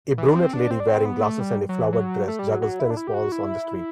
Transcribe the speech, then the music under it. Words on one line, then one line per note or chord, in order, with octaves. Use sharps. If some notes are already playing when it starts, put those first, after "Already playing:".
A brunette lady wearing glasses and a flowered dress juggles tennis balls on the street.
E3
D4
C4
D4
C4
D4
C4
B3
A3
G3
F#3
E3
F#3
A3
G3
F#3
F#3
E4
D4
E4
G4
F#4
E4